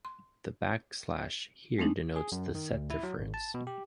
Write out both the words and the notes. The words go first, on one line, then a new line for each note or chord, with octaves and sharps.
The backslash here denotes the set difference.
C6
G#3 A3 C4 D4 D#4
G#4
F#2
D#3
D2
E4
F#3
G#1
A5
B2
G4